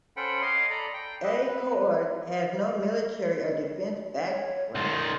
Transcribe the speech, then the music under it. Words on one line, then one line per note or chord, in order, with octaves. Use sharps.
Akar has no military or defense background.
C#4 A4 C5 F#5 G5 B5
C#5 D#5 F5 C6 D6 D#6
A4 D5 A#5 B5
G5
G4 B4 D#5 E5
B4
C#5
B1 D#3 C6